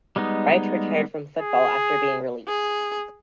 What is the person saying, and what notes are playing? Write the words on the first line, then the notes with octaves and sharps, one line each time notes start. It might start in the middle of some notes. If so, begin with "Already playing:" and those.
Wright retired from football after being released.
G3 G#3 B3 D#4
G#4
G#4